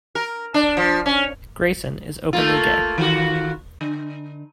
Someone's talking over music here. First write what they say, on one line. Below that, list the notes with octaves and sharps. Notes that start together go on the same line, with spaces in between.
Greyson is openly gay.
A#4
D4
F3
C#4
A3 A#3 F4
D#3 F4 F#4
D3